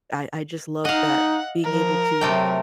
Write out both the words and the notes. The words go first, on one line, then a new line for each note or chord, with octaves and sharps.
I I just loved that being able to
D#4 D#5 F5 F#5
F3 A#4
C3 F#3 A3 G5